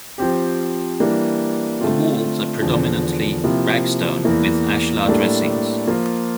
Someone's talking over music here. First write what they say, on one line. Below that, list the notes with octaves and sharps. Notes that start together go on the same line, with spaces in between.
The walls are predominantly rag-stone with ashlar dressings.
F3 C4 G4
E3 G3 A#3 D4
D3 A3 C4 F4
E2 D3 F3
C3 F3 A#3 E4
E2 E3 A#3 E4
A2 G3 A#3 D4 A4
F3 A#3 F4